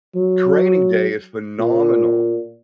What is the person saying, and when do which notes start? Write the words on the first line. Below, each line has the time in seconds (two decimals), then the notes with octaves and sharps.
Training Day is phenomenal.
0.15 F#3
1.59 A#2